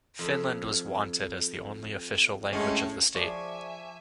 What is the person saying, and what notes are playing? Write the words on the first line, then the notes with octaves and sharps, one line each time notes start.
Finland was wanted as the only official language of the state.
F2
A2 G#3 C#4
F3 G#4 D5 E5 G#5 C#6 D6